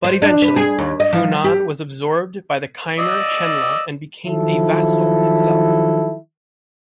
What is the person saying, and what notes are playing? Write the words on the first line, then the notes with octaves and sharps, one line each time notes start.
But eventually Funan was absorbed by the Khmer Chenla and became a vassal itself.
C5
D4
B4
G#4
D#2
D#5
F3
G4
D5 D#5 E6
D#3 F3 F#3 E4 A4